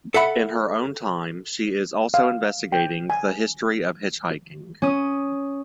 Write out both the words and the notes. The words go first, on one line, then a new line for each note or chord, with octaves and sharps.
In her own time, she is also investigating the history of hitchhiking.
A4 E5 F#5 B5
F5
G5
G#5
C#4 D#6